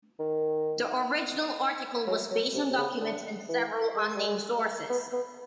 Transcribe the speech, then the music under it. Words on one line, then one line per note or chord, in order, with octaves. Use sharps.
The original article was based on documents and several unnamed sources.
D#3
F#3
F#3
C3
C3
C#3
D3
E3
G#3
G3
G#3
A3
B3
B3